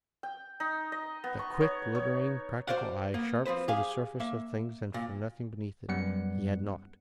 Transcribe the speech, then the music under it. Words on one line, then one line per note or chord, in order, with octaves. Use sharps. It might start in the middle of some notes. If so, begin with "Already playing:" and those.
That quick, glittering, practical eye, sharp for the surface of things and for nothing beneath it, he had not.
G5
D#4
D#5
B3
C#6
C#5
C#5
F#4 C5 D5 F5 F#5
A#3 B3
F3 C4 B4 C5
G4 G#4 F5 G#5
A#3 E5
A#2
F#2 G3 B3 F#5 C#7